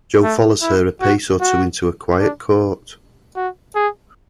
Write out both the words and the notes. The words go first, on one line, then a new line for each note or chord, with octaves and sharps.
Jo follows her a pace or two into a quiet court.
A3
E4
F#4
F#4
D4
F#4
G#4